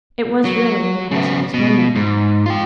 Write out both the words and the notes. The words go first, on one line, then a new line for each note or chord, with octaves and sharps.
It was really a hazardous moment.
F#3
C#3 B3
B2
G#2
F4 G5